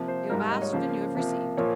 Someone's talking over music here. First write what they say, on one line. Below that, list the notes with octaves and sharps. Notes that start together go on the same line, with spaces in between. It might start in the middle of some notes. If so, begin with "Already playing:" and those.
You have asked, and you have received.
Already playing: C3 F3 A#3
C5
G#2 G3 A#3 A#4
A#4
D#5
C#5
C#3 F3 A#3 C5
C3 F3 A#3
A#2 F3 A#3 C#5